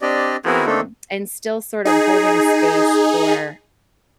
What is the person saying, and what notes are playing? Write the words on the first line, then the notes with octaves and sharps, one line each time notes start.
um, and still sort of holding space for
C4 D4 G4 D5 D#5
B3 C4 E4 F#4 G#4 A#4
A3 A#3 C4 D4 D#4 A4
D#4 G#4